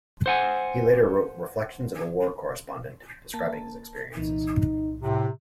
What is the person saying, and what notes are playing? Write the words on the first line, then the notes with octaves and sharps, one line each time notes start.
He later wrote "Reflections of a War Correspondent", describing his experiences.
C5 F#5 G#5
A#3 A5
C2 A#2 E3 D#4
A2 C3